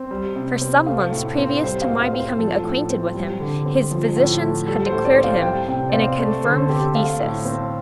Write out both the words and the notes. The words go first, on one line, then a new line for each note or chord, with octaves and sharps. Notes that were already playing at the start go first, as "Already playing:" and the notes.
For some months previous to my becoming acquainted with him, his physicians had declared him in a confirmed phthisis.
Already playing: C4
G3
C3
C4
A3 F5
A2
C4
G3 C5
F5
A2
F5
C4
C5
F3 A4
A2
C4
G3
D3
C4
F3
A2
A3
G3 A4
C5
A2
D5
C4
F5
G3 G5
C3 G5
D5
C4 F5
A3 D5
D3 C5
A4
C4 G4
A3 F5
A2
C4